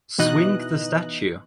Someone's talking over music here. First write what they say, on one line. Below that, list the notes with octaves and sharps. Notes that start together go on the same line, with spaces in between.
Swing the Statue!
B2 E3 D#4 D#5 F#6